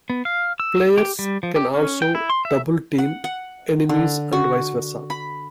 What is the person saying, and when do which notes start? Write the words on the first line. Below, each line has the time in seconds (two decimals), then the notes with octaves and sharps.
Players can also double-team enemies and vice versa.
0.10 B3
0.25 F5
0.60 E6
0.98 G4
1.19 G3
1.43 F3
1.56 G4
1.74 C#4
2.02 G5
2.15 E4
2.30 C6
2.45 E5
2.98 F#5
3.24 F#5
3.89 D3
4.33 F#4
5.10 B5